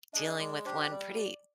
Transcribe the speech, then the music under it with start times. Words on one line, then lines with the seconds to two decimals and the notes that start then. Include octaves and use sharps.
dealing with one pretty
0.13 D4 G#4 D#5
0.39 G#3 D5
0.65 D4 G4 C5
0.91 G3 D5